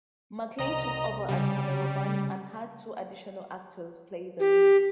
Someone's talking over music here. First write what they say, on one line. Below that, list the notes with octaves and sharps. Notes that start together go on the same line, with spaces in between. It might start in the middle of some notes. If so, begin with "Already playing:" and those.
Maclaine took over as cameraman and had two additional actors play the lead.
C2 D#5 A#5
C#3 G3
G4